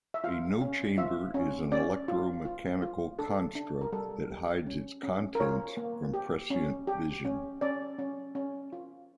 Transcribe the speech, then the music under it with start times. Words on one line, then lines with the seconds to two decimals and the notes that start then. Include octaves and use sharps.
A no-chamber is an electro-mechanical construct that hides its contents from prescient vision.
0.14 E5
0.24 F4 F5
0.61 C#4
0.98 F4 E5
1.34 C#4
1.71 C#4 D5
2.08 F4
2.45 F4
2.82 F4
3.19 D4 A4
3.55 D4
3.81 A#4
3.92 G3 A4
4.30 G4
4.67 C#4
5.03 C#4
5.35 A#4
5.40 F4 C#5
5.77 A#3
6.14 G4
6.50 C#4
6.87 G4
7.24 C#4
7.61 C#4 D5
7.99 C#4
8.35 C#4
8.73 F4